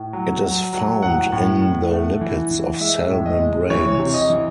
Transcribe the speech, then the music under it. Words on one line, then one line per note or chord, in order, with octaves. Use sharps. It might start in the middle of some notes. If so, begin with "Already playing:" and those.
It is found in the lipids of cell membranes.
Already playing: A2
F#3
F#3
F#3
A2 F#5
A2
A2
A3
E3
E3
G#3 E5
A2
D#5
G#3
E3 C#5
C3
D#5
E3